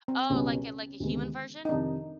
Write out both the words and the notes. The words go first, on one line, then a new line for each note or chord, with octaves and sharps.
Oh, like, a like, a human version?
C4
C#2 B2 G3 C#4
D2 C3 D#3 G#3 B3
D#4
F2 C3 D#3 D4